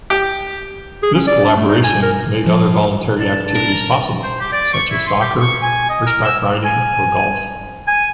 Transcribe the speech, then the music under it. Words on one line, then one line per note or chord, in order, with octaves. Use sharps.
This collaboration made other voluntary activities possible, such as soccer, horseback riding or golf.
G4
G#4
C#4
D5
D4
A3
D#4
G#5
A#4
F3
D4 A5
A#4
C5
G4
D5
C#6
E4
C6
G4
C#6
G#5
D#5
A#4
E6
G#5
G#5